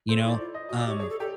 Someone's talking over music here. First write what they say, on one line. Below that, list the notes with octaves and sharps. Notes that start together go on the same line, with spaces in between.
you know, um,
A4 C5
C#5
E4 D5
F4 D5
D#5
F#4 D#5
D5
G4 C#5
G#4 C#5
A4
G4 A4